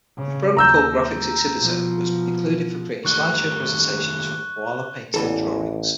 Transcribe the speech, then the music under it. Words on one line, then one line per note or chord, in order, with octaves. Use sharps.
A program called "Graphics Exhibitor" was included for creating slideshow presentations from KoalaPainter drawings.
C#3
D#2 A#5 E6 G6
B2 F3
D#3 G3 A3 C#6 F#6 G7
A1 E2 E3 A4